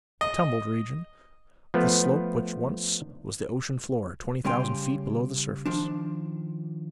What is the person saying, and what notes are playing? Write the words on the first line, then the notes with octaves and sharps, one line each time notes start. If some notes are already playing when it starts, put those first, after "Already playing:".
A tumbled region, this slope which once was the ocean floor twenty thousand feet below the surface.
D#5
F3 A3 B3 B4
C#3 G3 C#4 G5 C6
D#3 F3 D4